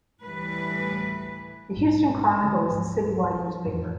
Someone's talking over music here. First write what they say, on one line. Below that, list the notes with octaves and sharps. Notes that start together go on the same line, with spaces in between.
The "Houston Chronicle" is the citywide newspaper.
D2 A2 E3 G3 B4
B1 G#2
D3 E3 G#3 A3
D1 G#2 F3
F2 A2 E3 F3